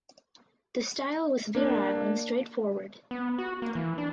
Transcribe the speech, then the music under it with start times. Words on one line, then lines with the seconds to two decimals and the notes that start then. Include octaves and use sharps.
The style was virile and straightforward.
1.55 A#3 D4
3.11 B3
3.38 F#4
3.62 A#3
3.75 E3
3.98 D4